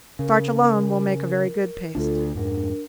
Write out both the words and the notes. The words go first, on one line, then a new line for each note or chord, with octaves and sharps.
Starch alone will make a very good paste.
C#3 A#4
D2 D4 F4 A4
F2 G#2 D4 A#4